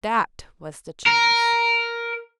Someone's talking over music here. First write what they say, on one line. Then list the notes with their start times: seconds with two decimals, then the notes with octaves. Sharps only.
THAT was the chance!
1.06 A#4